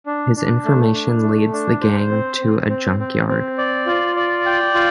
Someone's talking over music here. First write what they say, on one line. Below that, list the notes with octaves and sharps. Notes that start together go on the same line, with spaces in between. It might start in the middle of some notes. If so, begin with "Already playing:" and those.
His information leads the gang to a junkyard.
D4
D4
A3
D4
A3
D4
C5
C4
C4
C4
C4
C4
D5
F4
D5
G5
F4